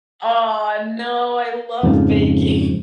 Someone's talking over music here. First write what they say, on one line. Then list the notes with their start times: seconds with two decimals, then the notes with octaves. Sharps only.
Aw, no, I love baking.
1.83 F2 G#2 C#3 F3